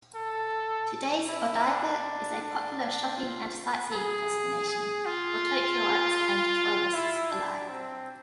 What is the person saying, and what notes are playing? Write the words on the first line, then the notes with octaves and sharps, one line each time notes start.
Today's Odaiba is a popular shopping and sightseeing destination for Tokyoites and tourists alike.
A4
E4
D4
D4
F4
G#4
G#4
F4
E4
D4
C4